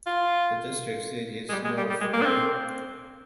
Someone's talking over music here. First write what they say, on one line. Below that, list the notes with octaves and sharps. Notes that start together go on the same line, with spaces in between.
The district seat is North Bay.
F4
G#3
G3
G#3
G3
G3
G#3
A#3
D4
C4